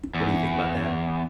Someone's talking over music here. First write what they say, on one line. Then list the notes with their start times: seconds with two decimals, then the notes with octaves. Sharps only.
What do you think about that?
0.15 E2